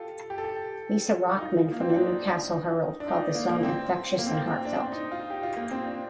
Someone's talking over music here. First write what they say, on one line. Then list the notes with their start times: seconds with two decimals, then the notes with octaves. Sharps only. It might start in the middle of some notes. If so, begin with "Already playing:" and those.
Lisa Rockman from The Newcastle Herald called the song "infectious and heartfelt".
Already playing: F4 G4 A4
0.30 G4
0.38 A4
0.44 G4
1.37 D#4
1.41 F4
1.72 A#3
1.80 C4
1.89 D4
1.97 D#4
3.00 D4
3.08 D#4
3.22 D4
3.35 A#3
3.49 A#3
3.63 C4
4.19 A#3
4.26 C4
4.34 A#3
4.46 C4
4.65 D4
4.74 C4
4.92 D#4
5.12 F4
5.30 G4
5.43 F4
5.57 A#3
5.71 C4
5.86 D4